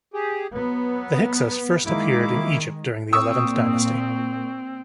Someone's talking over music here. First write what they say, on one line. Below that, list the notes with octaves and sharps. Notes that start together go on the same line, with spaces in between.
The Hyksos first appeared in Egypt during the Eleventh Dynasty.
G4 G#4
F#3 B3
D#3 G#3 A#3 E4 D6
A#2 C4 C#6 D#6 E6